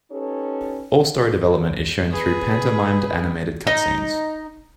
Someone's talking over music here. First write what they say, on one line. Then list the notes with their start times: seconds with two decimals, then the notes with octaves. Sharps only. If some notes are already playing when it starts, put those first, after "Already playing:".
All story development is shown through pantomimed animated cutscenes.
0.11 C#4 D#4 G4 A4 B4 C#5
2.11 G#4 B4
3.67 D#4